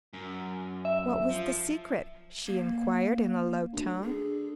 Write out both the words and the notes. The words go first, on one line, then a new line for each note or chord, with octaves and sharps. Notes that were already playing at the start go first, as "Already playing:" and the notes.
"What was the secret?" she inquired, in a low tone.
F#2
E5
F3
A#3
D2
D3 G#4